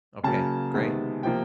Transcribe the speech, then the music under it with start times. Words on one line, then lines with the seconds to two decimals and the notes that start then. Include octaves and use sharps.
Okay. Great.
0.24 C#3 F#3 A#3 A5
0.74 C3 D#3 G#3 B3
1.23 C3 F3 A#3 G5